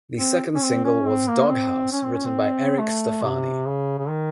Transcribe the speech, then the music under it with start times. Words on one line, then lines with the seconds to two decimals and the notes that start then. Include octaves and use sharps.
The second single was "Doghouse", written by Eric Stefani.
0.19 C4
0.55 C#4
0.63 C4
0.85 C#4
1.07 C4
1.28 A#3
1.49 C4
1.92 C#4
2.04 C4
2.15 C#4
2.25 C4
2.79 A3
3.23 C3
3.66 C#3
3.99 C#3
4.09 D#3